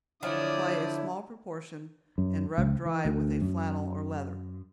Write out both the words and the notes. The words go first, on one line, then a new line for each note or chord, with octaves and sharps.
Apply a small proportion, and rub dry with a flannel or leather.
D3 F3 F#3 D4 E4 C#5 D5 D#6
F#2
C#2
E3
D2
F#2